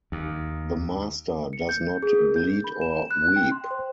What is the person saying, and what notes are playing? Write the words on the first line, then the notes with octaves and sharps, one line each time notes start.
The Master does not bleed or weep.
D#2
C#7
G6
G#4
A#4
G6
B5
E7
F#6
G5
C6
C5